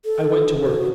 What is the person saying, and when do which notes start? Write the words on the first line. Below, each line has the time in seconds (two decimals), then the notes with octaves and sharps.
I went to work.
0.05 A4
0.66 F#4